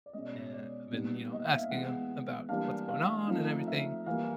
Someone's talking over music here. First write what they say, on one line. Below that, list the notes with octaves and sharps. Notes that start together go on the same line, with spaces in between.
and I've been, you know, asking him about what's going on, and everything,
D5
B2 G#3 C#4 D#5
D5
C#5
D5
A#2 G3 B3 D#4
D#5
E5
F5
E3 G#3 B3 F#5
E3 G3 A#3 D4 F5
F5
F3 A3 C4 D#4
E5
E3 G3 A#3 F5